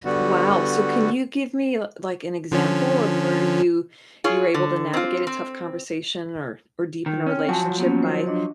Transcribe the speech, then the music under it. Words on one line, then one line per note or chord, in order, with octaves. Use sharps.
wow, so, can you give me, l like, an example of where you you were able to navigate a tough conversation or or deepen a relationship by
D3 G3 B3 F#4
D3 F3 C#4
F4 G#4 C#5
D3
C4 F4
C4
D#3
C4 C#4 G5
F3 F#3 F#4 G#5 A5
A#3 B3 C#4
C5
D4 D#5